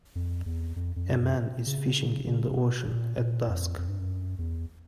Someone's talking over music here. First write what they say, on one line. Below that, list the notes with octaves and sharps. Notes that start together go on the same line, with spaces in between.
A man is fishing in the ocean at dusk.
F2
E2
F2
F2
F#2
F#2
C#3
C#3
C3
B2
A#2
A#2
F2
F2
G2
F#2
E2